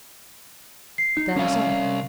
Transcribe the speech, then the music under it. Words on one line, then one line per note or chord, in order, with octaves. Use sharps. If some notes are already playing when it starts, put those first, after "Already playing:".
But that is all.
C7
D#4
C2 C#4 F5